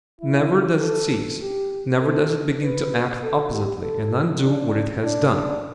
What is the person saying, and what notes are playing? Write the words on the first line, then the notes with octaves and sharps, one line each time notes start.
Never does it cease: never does it begin to act oppositely and undo what it has done.
E4
A4
G4
A4
B4
A4
G4
A4
D4
D4
D4